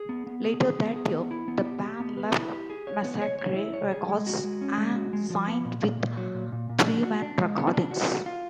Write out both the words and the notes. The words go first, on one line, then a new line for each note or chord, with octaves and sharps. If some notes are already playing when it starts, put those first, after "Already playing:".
Later that year, the band left Massacre Records and signed with Threeman Recordings.
Already playing: G#4
B3
B3
G#4
G#4
B3
G#4
B3
E4
B3
G4
G4
B3
B4
E4
G4
G#4
C#5
B3
C#5
C#5
E4
C#5
G#4
G#3
F#4
G#3
C#4
G#3
F#4
G#3
F3
B3
A#2
A#2
A#2
F#3
A#2
A#2
A#2
D4
F#4
D4
G#3
B3
D4
F#4
F#4
F4